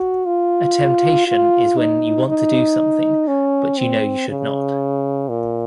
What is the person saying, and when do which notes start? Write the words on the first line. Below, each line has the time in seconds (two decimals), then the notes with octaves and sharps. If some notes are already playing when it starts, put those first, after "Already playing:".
A temptation is when you want to do something but know you should not.
Already playing: F#4
0.26 F4
1.28 F4
1.77 D#4
2.27 D#4
3.28 C#4
3.78 C4
4.29 C#3
5.29 A#2